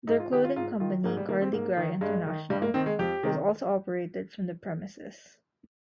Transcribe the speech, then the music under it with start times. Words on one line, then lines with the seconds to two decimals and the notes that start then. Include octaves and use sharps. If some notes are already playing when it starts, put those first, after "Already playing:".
Their clothing company Carly Gry International was also operated from the premises.
0.07 G#2 D#4
0.20 F4
0.31 D#3 G4
0.44 F4
0.56 G#2 F4
0.80 D#3 F4
1.04 G#2 A#3
1.17 G3
1.28 D#3 A#3
1.41 C4
1.53 G#2 A#3
1.77 D#3
2.01 G2 G#3
2.27 D#3
2.50 G2 G3
2.62 A#3
2.74 D#3 C4
2.86 G#3
2.99 F2 G4
3.23 C3 D#3